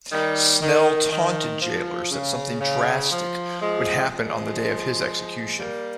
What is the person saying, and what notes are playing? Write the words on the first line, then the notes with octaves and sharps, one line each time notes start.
Snell taunted jailers that something drastic would happen on the day of his execution.
D#3 G3
D#3
D#3
F3
C#3
C#3
F3
F3 G#3
F3 G#3
G3 A#3